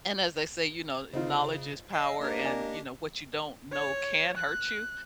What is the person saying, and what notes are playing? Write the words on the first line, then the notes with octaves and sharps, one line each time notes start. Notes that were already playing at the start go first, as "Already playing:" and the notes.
And as they say, you know, "Knowledge is power," and, you know, "What you don't know can hurt you."
C#3 C4 D#4 F4
D#5 E6 C7
A#3 D4 G4
D5 G#5
C#5
F#6